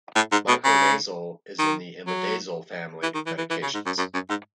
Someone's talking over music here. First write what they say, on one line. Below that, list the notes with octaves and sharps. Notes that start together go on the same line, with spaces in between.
Miconazole is in the imidazole family of medications.
A2
G#2
B2
C#3
D#3
F#3
E3
D#3
E3
E3
E3
C#3
G#2
F#2
F#2
F#2
G#2